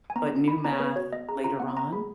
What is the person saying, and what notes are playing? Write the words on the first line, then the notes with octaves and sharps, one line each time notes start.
but new math later on."
G#5
B3 A#5
F#4
D#4 B5
B3 A#5
C#5
B3 B4
F#4 C#5
B3 D#5
G#4 A#5
F4 A#5
B3 F#5
B3 A#5
G#4 B5